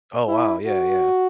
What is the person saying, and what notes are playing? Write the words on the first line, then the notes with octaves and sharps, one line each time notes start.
Oh, wow, yeah, yeah.
E4
F#4